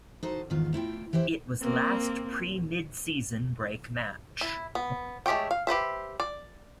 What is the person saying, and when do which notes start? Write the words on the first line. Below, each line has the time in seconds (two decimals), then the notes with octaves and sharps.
It was last pre-midseason break match.
0.23 D#4 F#4 A4 C5
0.50 E2 G#2 D#3 F4
0.73 A3 E4 F4 G5
1.13 E3 E4 G4 C5
1.62 A#3 C4
4.41 E4
4.75 B3
5.26 G#3 A3 G4 C#5 G5
5.51 F5
5.67 G4 B4 C5 E5
6.20 D5